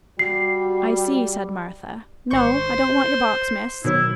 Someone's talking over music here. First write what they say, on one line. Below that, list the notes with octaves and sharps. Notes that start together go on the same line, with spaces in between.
'I see,' said Martha; 'no, I don't want your box, miss.
G3 F#4 C7
G#1 C5 C#6 G6
B2 D#3 F#3 E4